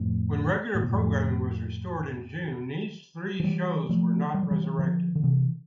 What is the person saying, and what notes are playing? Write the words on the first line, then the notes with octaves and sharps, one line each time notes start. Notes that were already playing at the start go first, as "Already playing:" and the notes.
When regular programming was restored in June, these three shows were not resurrected.
Already playing: F2 A2
A2
A#2
F2 A2
F3
E3 G3
F3 A3
G3
F3
E3 G3
D3 F3
D3
C3 E3